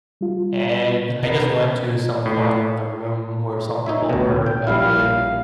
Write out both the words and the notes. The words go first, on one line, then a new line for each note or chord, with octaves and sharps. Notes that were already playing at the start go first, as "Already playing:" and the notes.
and I just went to some corner of the room where some people were eventually
G3 F4
B2 B3 A#4
A2
D#4 C#5 E5
D2 B2
G5
A#1 G3 E4 F5